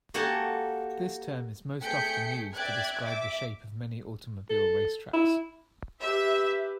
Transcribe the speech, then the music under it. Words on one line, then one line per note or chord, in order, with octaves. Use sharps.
This term is most often used to describe the shape of many automobile racetracks.
A#3 F#4 G4 A4 F#5 G#5
A3 G#4 G5 G6 B6 C#7
D5 E5 G5 F#6 G#6
E5 D6
A4
E4
G4 B4 E5